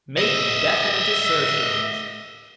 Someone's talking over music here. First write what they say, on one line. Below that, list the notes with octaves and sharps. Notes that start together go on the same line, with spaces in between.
Make definite assertions.
D#5 E5